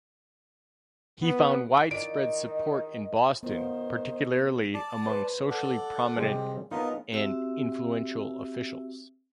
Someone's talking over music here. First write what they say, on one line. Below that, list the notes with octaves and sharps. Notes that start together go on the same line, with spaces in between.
He found widespread support in Boston, particularly among socially-prominent and influential officials.
B3
D#3 E4 F4 D5 D#5 D7
D#3 B3 F4 C5
D5 A5
B4 C5
A4 D5 F#5
C3 G3 G#3 C4
B3 D#4 F4 A#4 D#5
C4 F#4 G4 E5 E6